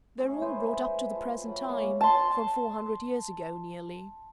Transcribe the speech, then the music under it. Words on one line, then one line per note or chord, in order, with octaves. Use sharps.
"They're all brought up to the present time--from four hundred years ago, nearly."
A2 C#4 G#4 C#6
G#3 D#4 B4 C5
E5
F4 A5
F#3 E5 A5 B5
C#3 G#3 A#3 C#4
A5 C6